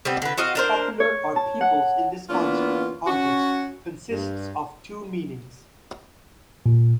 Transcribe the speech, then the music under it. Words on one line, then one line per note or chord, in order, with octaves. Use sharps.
"Popular" or "people's" in this context consists of two meanings.
G3 B3 C4
D3 B4
C4 F#4 D#5 F5
D4 A#4 C5
C#5
A5
F#5
E3 A#3 B3 C#4 D4 F4
C#4 F#4
G2
A#2